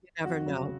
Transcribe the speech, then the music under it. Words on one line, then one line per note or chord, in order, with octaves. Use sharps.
You never know.
F2 F#4
C#3 F#3